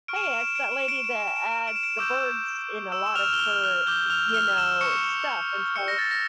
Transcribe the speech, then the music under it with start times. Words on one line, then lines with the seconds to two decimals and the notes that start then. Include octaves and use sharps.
"Hey it's that lady that adds the birds in a lot of her, y you know, stuff," and so,
0.08 C#6 F6 D7
0.16 E7
0.24 D7
0.32 E7
0.40 D7
0.47 E7
0.55 D7
0.64 E7
0.71 D7
0.80 E7
0.88 D7
0.96 E7
1.04 D7
1.11 E7
1.20 D7
1.28 E7
1.36 D7
1.44 E7
1.51 D7
1.59 E7
1.67 D7
1.76 E7
1.83 D7
1.91 E7
1.97 C#6 D6 E6 G6 D7
2.92 E6 E7
3.06 E7
3.15 F6 F7
3.33 G7
3.39 F6 F7
3.64 F6 F7
3.87 D6 G6 G7
4.10 F6 F7
4.29 G7
4.34 F6 F7
4.57 E6 E7
4.81 C#6 C#7
5.76 C#6 F6 C#7
5.88 A#6
5.99 A6
6.11 A#6